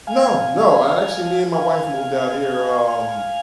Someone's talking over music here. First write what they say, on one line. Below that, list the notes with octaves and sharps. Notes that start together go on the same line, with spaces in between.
No, no, actually, me and my wife moved out here, um
F5 G#5
F5 G#5